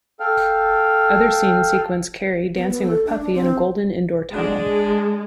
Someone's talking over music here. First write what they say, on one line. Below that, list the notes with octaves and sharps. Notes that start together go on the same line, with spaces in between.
Other scenes sequence Carey dancing with Puffy in a golden indoor tunnel.
A4 F5 G5 F6
B3
B3
A4
D4
D4
C4
G#3 D4